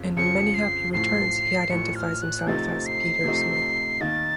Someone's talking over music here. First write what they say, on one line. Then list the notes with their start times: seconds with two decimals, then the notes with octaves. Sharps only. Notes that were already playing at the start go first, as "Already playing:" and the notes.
In "Many Happy Returns" he identifies himself as 'Peter Smith'.
Already playing: F2 C#3 F3
0.16 F2 C#3 F3 C4 C#7
0.55 C7
0.93 A1 A2 F3 C7
1.70 A1 A2 F3 C#7
1.95 F6
2.22 F#6
2.47 C3 F3 A3 C4 D#4 A6
2.86 C7
3.24 C3 F3 A3 C4 D#4
4.01 D#2 D#3 A#3 D#4 A6